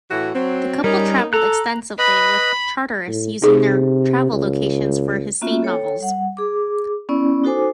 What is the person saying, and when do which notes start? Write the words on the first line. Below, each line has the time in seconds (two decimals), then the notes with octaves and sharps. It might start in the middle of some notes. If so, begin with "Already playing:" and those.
The couple traveled extensively, with Charteris using their travel locations for his "Saint" novels.
0.11 A2 E3 F#4
0.34 F#3 C4
0.84 G3 C#4 D#4 A#4
1.33 A4 A#5 F#6
1.98 B4 D#5 B5
3.07 A2
3.42 C3 D#4 G#4
4.32 C#2
5.42 A#3 B3 C#4 F4 F#4 E5
5.62 A4 C#5 G5
6.00 G3 F#5
6.37 G#4 D6
7.09 B3 C#4 E4 D5
7.44 D#4 F#4 A4 C5 G#5 D6